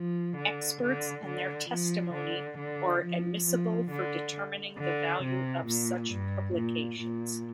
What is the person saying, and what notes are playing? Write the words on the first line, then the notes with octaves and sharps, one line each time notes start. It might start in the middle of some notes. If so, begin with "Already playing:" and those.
Experts and their testimony are admissible for determining the value of such publications.
Already playing: F3
D3
D3
D3
F3
D3
D3
F3
F3
D3
D3
C3
A#2
G2
A#2
A#2